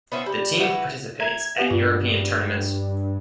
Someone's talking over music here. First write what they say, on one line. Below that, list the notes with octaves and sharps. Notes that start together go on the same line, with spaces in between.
The team participates at European tournaments.
B3 C#4 E4 C5
G3
E4 F#4 B4
E5 A#5 G#6
B3 G4 B4 F#5
G2 F4